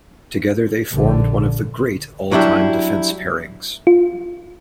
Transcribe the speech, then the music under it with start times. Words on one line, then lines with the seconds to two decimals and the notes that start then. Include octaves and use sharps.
Together they formed one of the great all-time defence pairings.
0.93 A#1 D3
2.31 F#3 G3 D4 E4 G4
3.87 F4